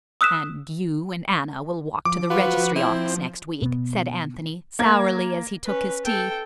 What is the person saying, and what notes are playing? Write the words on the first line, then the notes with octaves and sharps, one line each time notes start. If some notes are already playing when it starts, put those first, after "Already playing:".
"And you and Anna will walk to the Registry Office next week?" said Anthony, sourly, as he took his tea.
D#6 E6 F#6 B6 E7
F3 D6
F4 F#4 B4
C4 E4
B2 B3
A#3 G#6
C#4 B4
A4 G5